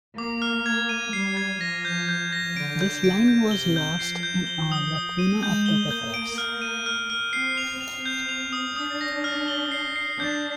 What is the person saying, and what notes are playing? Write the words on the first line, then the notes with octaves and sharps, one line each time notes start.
This line was lost in a lacuna of the papyrus.
A#3 D6
F6
G#6
D#7
G3 C7
G#6
F3 A#6
G6
G6
A#6
D3 D7
G6
D3 D7
G6
C3 G7
G6
F3 C7
G6
G7
D#6
D#6
D#7
G#3 G6
G7
A#3 G6
D7
F6
D#7
F6
F6
C4 C7
F7
C4 F7
G6
F7
D#6
D4 D#6
A#6
F6
G7
C7
C7
D4 G6